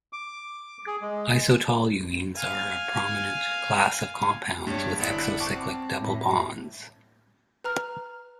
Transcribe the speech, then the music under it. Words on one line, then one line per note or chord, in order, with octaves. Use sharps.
Isotoluenes are a prominent class of compounds with exocyclic double bonds.
D6
G#4
G#3
F5 G#5
G2 G4 C#5
G1 E4 D5 F#5
C4 A5 C#6 D6
A2
B4 A#5 F6